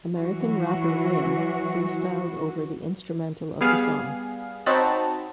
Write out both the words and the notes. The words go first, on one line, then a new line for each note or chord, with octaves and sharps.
American rapper Wynne freestyled over the instrumental of the song.
E3 F#3 F#4
G3 B3 G#4 F5
C4 D#4 F#4 C#5 A5 B5